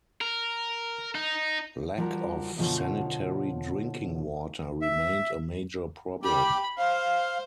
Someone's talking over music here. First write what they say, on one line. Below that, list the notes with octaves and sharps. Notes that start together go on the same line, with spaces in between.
Lack of sanitary drinking water remained a major problem.
A#4
D#4
F3 G3 F#4 A4 A#4
F#2 B2 D3 F3 C#5
E5
G4 B5
C5 F5